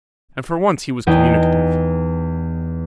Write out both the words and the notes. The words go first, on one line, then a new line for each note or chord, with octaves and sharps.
And for once he was communicative.
E2 D#4 G5